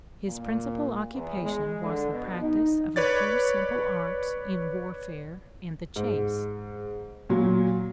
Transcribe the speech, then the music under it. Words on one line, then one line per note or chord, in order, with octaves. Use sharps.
His principal occupation was the practice of a few simple arts in warfare and the chase.
A#2
E2
G#3
D3
B2
D#4
B4 C#5 D5 A6
G#2
A#2 F#3